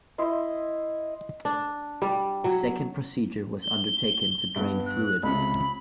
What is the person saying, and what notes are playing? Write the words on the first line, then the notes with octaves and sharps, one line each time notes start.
A second procedure was undertaken to drain fluid.
E4 D#5 C6
D4
G3
F#3
G7
G2 B3
F#6
C#2 C3 B5